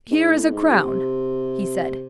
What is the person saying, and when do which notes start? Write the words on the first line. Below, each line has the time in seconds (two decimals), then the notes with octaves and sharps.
"Here is a crown," he said.
0.11 G#2
0.32 A2
0.52 G#2
0.72 C3